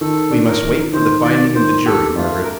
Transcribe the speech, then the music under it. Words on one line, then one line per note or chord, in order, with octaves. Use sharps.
"We must wait for the finding of the jury, Margaret."
D#3 A4
D4
A#4
D#3
D#3 C5
D#3 D5
D#3 C5
G4 A4
A3 F4
A#4